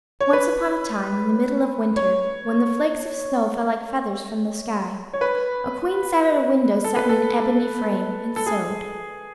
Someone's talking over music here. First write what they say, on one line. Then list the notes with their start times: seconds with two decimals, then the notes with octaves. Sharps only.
Once upon a time, in the middle of winter, when the flakes of snow fell like feathers from the sky, a queen sat at a window set in an ebony frame, and sewed.
0.21 C#5
0.33 B4
1.96 C#5
5.14 C#5
5.21 B4
6.84 A4
6.96 B4
7.09 A4
8.36 A4
8.47 G#4